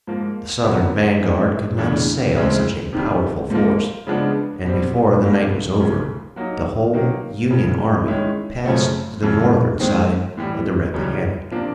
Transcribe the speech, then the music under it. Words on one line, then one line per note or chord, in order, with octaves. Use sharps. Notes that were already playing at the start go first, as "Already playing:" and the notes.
The Southern vanguard could not assail such a powerful force, and before the night was over the whole Union army passed to the Northern side of the Rappahannock.
G#2 F3 A#3
D#2 D3 F#3 B3 E4
G2 E3 G#3 C4
E2 C#3 E3 A3 D4
D2 C#3 E3 G#3 C4
C3 D#3 G3
G#2 F3 A#3
C#3 F3 G#3 B3 D4
B2 G3 C4
B2 G3 A#3
D2 C#3 F3
F#3 A#3 D#4
D#3 F#3 A#3
D#2 C#3 F3
D#3 G#3 C#4 E4
F#2 C#3 F3 A3 C4
F2 C#3 E3
D#2 D#3 G#3 C4
A2 E3 G3
F#2 C#3 E3 G3
C3 F3 A#3 D4